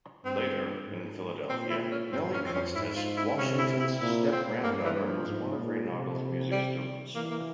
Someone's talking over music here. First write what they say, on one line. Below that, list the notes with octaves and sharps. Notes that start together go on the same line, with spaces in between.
Later, in Philadelphia, Nellie Custis, Washington's step-granddaughter, was one of Reinagle's music students.
G2 C4
G#2
A#2 C4
E4
C#4
G2 C4
C#4
F2 C4
C#4
G#2 E4
F4
E4
C3 C#4
E4
E4
A#2 E4
C4
G2 A#3
E3
F3
G#2
A#2
C3
G3
E3 A#3
A#3